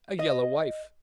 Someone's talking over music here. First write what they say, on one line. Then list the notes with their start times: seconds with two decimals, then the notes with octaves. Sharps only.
'A yellow wife!
0.19 D#5